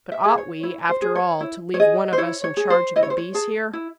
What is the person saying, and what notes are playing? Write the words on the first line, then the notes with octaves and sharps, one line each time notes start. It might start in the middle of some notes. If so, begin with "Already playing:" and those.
"But ought we, after all, to leave one of us in charge of the beasts here?"
E5
G#4
C#5
E4 C#5
C5
G#4
C#5
E4
C#5
G#4 D#5
C5
E4 C#5
C#5
G#4
C5
E4 D#5
C#5
C5
C#5
G#4 A5
E4